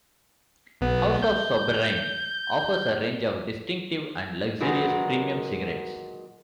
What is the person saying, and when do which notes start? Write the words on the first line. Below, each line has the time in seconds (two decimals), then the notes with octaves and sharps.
House of Sobranie offers a range of distinctive and luxurious premium cigarettes.
0.81 B1 B3
1.22 G6
4.60 A#2 D#3 F#3 G#3 B3